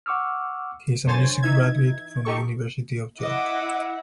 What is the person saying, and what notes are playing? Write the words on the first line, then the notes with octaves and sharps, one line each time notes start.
He is a music graduate from the University of York.
F#5 C#6 D6 E6 F6
F#2 D3 C5 C#5 G#5 A6
E3 D#4 E5 G#6
D#4 G4 A4 C#6
E4 D#5 E5 F#5 D6